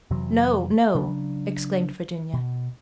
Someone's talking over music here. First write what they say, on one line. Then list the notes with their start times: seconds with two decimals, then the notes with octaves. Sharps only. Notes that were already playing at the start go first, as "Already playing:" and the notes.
"No, no!" exclaimed Virginia.
0.10 F2 C3 E3 F#3
0.95 C#3 F#3 D4
2.33 B2